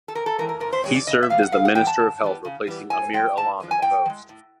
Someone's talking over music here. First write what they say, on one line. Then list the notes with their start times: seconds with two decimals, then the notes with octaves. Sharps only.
He served as the minister of health replacing Amir Alam in the post.
0.08 A4
0.15 C3 A#4
0.26 A4
0.38 E3 G#3 C4 A#4
0.49 A#4
0.60 C3 A#4
0.73 C5
0.84 E3 G#3 C4 C#5
0.95 D5
1.07 C#3 D#5
1.23 E5
1.30 E3 G3 B3 F5
1.43 F#5
1.52 C#3 F5
1.65 F#5
1.75 E3 G3 B3 G5
1.87 A5
1.99 C#3
2.22 E3 G3 B3
2.45 C#3
2.67 E3 G3 B3
2.90 A2 G#5
3.13 F3 G#3 G5
3.37 A2 A5
3.60 F3 G#3
3.71 G#5
3.82 A2 G5
4.06 F3
4.10 G#3
4.29 A2